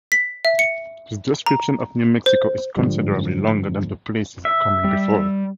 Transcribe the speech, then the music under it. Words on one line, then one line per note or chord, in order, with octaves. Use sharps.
His description of New Mexico is considerably longer than the places coming before it.
B6
E5
C#7
A#5
C5
G#2 D3 F3 G3
E5
G3